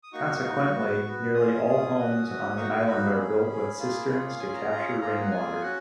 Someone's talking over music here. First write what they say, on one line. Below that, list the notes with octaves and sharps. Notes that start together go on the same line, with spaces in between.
Consequently, nearly all homes on the island are built with cisterns to capture rainwater.
D#6
A#3 D#4 F#4 C#6
A#3 D#4 F#4
B3 F#4
B3 F#4
C#4 F4 G#4 D#6
C#4 F4 G#4
C#4 F#4
C#4 F#4
A#3 D#4 F#4 C#6
C#6
A#3 D#4 F#4 B5
C#4 G#4
C#4 G#4
A#3 F4 G#4
A#3 F4 G#4 C#5
C#5
F5
C#4 F4 G#4 G#5
A#5
C#4 F4 G#4
A#3 F4 G#4 A#5
F#5
A#3 F4 G#4 G#5
C#4 F#4 F#5